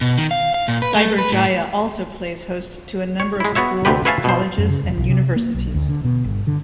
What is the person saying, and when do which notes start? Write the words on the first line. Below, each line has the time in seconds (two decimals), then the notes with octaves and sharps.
Cyberjaya also plays host to a number of schools, colleges and Universities.
0.01 B2
0.17 D#3
0.31 F5
0.54 F5
0.68 A#2
0.82 B4
0.95 A3
1.18 B4
1.32 A2
3.20 C#5
3.40 G#3 E4
3.55 B3 F#4 C#5 E5
3.85 D2 C3 G4 B4
4.05 B4 C#5 E5 F5 G#5 A5
4.24 B2 C5
4.58 F#2
4.70 C#3
4.83 E1
4.97 B1
5.09 C3
5.36 A#3
5.54 B1
5.74 D2
5.89 D3
6.04 B2
6.24 G1
6.47 D3